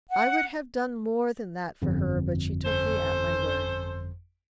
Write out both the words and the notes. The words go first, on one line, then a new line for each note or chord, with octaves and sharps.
I would have done more than that for her, but she took me at my word.
F#5
G1 F2
C#4 A4 C5